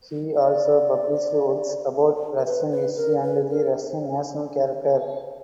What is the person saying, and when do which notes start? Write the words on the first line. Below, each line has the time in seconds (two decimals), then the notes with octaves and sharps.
He also published works about Russian history and the Russian national character.
0.35 D5
2.39 A#4
2.45 B4
2.71 B4
2.96 A#4
3.23 B4
3.50 A#4